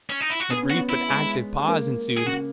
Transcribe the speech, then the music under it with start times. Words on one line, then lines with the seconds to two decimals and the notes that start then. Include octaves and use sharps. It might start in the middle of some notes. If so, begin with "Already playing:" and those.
A brief but active pause ensued.
0.10 C#4
0.20 D#4
0.30 E4
0.40 F#4
0.50 B3 G#4
0.62 C#4
0.70 F#4
0.74 B3
0.89 E4
1.08 G#3
1.59 G#3
1.68 A#3
2.17 G#4
2.26 C#3 F#4